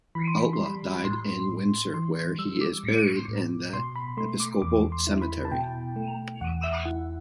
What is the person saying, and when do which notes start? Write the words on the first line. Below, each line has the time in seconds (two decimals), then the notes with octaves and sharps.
Outlaw died in Windsor, where he is buried in the Episcopal Cemetery.
0.15 E3 B5
0.27 C6
0.40 B5
0.53 C6
0.60 G3
0.66 B5
1.04 A2 C6
1.49 A2
1.94 E3 C6
2.39 G3 E6
2.61 D6
2.84 A2
3.28 A2
3.73 B2 C6
3.96 B5
4.17 A3 C6
4.40 D6
4.62 E2 D6
4.92 C6
5.07 E4
5.22 B5
5.45 A5
5.52 B2 G5
5.96 A3
6.41 E2 F#5
6.64 E5
6.85 E4 F#5